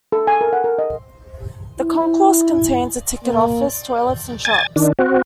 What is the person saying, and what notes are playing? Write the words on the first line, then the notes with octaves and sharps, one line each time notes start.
The concourse contains a ticket office, toilets and shops.
A4
G#5
A#4
F#5
A#4
D#5
E4
A#3
G#5 A6
D#3 D4
C4 F#4